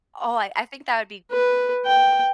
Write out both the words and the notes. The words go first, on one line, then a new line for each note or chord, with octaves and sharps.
Oh, I I think that would be
B4
G5